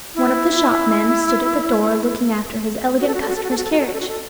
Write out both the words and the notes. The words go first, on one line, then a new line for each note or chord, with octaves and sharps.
One of the shopmen stood at the door looking after his elegant customer's carriage.
E4
F#4
A4
F#4
A4
F#4
A4
F#4
A4
F#4
A4
F#4
A4
F#4
A4
F#4
A4